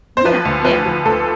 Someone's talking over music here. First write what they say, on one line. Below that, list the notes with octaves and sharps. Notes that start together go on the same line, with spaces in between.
Yeah, yeah.
C5
F3 B4
D2
F3 B4
F3
D2 A4